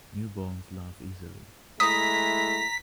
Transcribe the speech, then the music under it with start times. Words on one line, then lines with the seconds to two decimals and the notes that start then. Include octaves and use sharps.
Newborns laugh easily.
1.80 G#3 A3 E4 A#5 D#6 B6